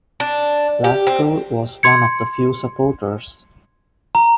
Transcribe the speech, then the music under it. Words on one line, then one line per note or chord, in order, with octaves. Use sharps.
Lasker was one of the few supporters.
D4
G4
C4
C6 G#6 C#7
A#5